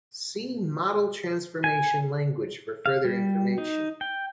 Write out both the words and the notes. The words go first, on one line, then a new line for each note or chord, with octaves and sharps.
See Model Transformation Language for further information.
G#5
F5
G3
D#4
G5